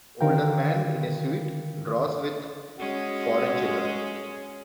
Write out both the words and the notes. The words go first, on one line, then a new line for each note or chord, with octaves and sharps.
Older man in a suit draws with foreign children.
D3 D#3 A#4 F5 G5
G#3 C#4 F#4 G#4